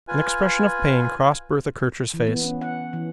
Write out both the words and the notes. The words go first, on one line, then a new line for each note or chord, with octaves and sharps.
An expression of pain crossed Bertha Kircher's face.
F4 B4 G#5
E3
B3
C#4
F#5
E3